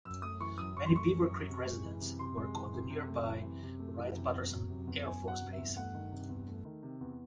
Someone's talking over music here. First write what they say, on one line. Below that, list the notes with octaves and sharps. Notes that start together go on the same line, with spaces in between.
Many Beavercreek residents work on the nearby Wright-Patterson Air Force Base.
F#2 E6
A3 D#6
E3 C#6
F#2 D#6
F#2 C#6
C6
A3 C#6
E3
F#2
C3
G#3
E3
C3
C3 C6
G#3
E3
C3
C3
A3
E3
C3
C3
A3
E3
C3
E2
F#3
C3
E2
E2 G#5
F#3
F#5
C3
E5
E2
A3 F#5
D#3
C3
E2
A3
D#3
C3
E2